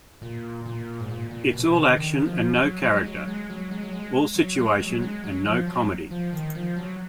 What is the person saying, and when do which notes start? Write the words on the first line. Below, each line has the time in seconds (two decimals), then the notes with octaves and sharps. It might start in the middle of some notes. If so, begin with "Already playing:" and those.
It's all action and no character, all situation and no comedy.
0.22 A#2
0.66 A#2
1.00 G#2
1.10 A#2
1.31 A#2
1.53 B2
1.75 D3
1.97 D#3
2.26 F3
2.55 F#3
2.84 F#3
2.96 G#3
3.06 F#3
3.28 G#3
3.50 F#3
3.71 G#3
3.83 F#3
3.93 G#3
4.36 F#3
4.59 G#3
4.80 F#3
5.02 G#3
5.24 F#3
5.45 F3
5.67 F#3
6.11 F3
6.33 D#3
6.55 F3
6.77 F#3